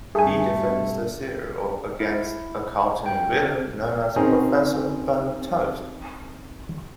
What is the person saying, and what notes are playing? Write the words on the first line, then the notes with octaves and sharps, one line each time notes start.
He defends the cereal against a cartoon villain known as Professor Burnt Toast.
G2 A3 G#4 G#5
E4
G5
C4 C#4 D#4 G#4 A#4